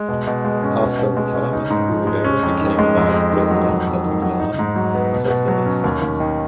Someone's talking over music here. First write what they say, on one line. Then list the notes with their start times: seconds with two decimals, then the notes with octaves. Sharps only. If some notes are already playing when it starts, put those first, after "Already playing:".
After retirement, Rivera became a vice-president at Milan for seven seasons.
Already playing: G#3
0.09 B2
0.28 B2
0.45 G#3
0.63 C#4
0.81 B2
0.99 B2
1.17 G#3
1.35 C#4
1.53 D#4
1.70 G#2
1.89 F3
2.07 G#3
2.24 C#4
2.43 F2
2.61 D#3
2.79 G#3
2.97 F2
3.14 F2
3.32 D#3
3.51 F#3
3.69 F2
3.87 F2
4.05 D#3
4.22 F#3
4.40 D#4
4.59 G#2
4.76 F#3
4.95 B3
5.12 B2
5.30 B2
5.48 F#3
5.66 C#4
5.84 D#2
6.02 D#2
6.20 D#3